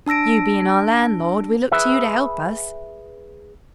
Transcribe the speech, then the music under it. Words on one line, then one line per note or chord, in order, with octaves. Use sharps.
You being our landlord, we look to you to help us.
D4 A5 E6 A#6 D7
G#4 B4 E5